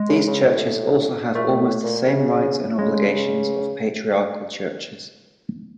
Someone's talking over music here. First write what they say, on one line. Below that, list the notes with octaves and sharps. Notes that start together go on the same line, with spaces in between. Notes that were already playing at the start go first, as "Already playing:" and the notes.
These churches also have almost the same rights and obligations of Patriarchal Churches.
Already playing: G#3
C#3
C#3
A2
A#2 A3
A#2
A2
A#2
C#3
C#3 G#3